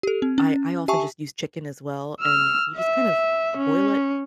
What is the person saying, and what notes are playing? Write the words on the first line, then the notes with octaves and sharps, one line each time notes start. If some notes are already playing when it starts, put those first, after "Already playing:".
I I often just use chicken as well, and you just kind of boil it,
G4 A4
C4
C#4
G4 E5 G#5 A5 C#6
E6 F6
E5
C#4